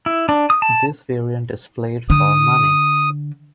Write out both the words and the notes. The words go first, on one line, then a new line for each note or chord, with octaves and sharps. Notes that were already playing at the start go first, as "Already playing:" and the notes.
This variant is played for money.
E4
D4
D#6
A5
D3 D#6